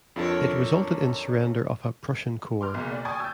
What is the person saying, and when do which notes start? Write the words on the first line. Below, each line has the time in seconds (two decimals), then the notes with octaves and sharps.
It resulted in surrender of a Prussian corps.
0.16 F2 D4 F4 A4 A#4 C#5
2.61 C6 D6 F6
2.74 F#1 B1
2.91 D5
3.05 G5 G#5 C#6 D#6 G#6 A6
3.20 E6 G6